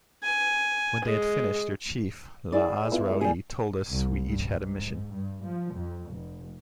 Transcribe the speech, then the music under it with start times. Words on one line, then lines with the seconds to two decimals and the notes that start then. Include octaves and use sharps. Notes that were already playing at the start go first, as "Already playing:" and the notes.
When they had finished, their chief Laazraoui told us we each had a mission.
0.23 G#5
1.05 G#3
2.52 E4 G#4 D5
2.92 B3 E4 F4
3.08 G#3 A#4
3.21 A#2 G3 G#4
3.91 C2
4.27 G2
4.60 G#2
5.14 G2
5.43 F3
5.74 F2
6.12 F1